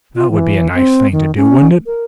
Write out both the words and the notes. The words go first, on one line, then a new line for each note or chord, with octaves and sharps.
That would be a nice thing to do, wouldn't it?
F4
E3
C4
D#3
C#4
A#4